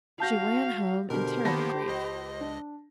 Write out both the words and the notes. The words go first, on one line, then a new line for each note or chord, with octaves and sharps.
She ran home in terrible grief.
F#4 F5 A5 G6 A#6
B2 D3 G4 A#4 C5
D#3 A#3 B3 A5 B5 A#6
C#2 D#5
D4